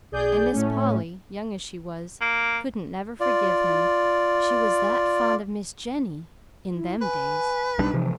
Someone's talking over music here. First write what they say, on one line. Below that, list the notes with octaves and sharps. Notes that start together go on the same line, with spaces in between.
An' Miss Polly--young as she was--couldn't never forgive him; she was that fond of Miss Jennie--in them days.
B1 G#4 D5 G6
A2 A3 C#4
A#3
F4 D5
E4
B4 G#5
B1 G3 D4 D#4
C3 E3 F3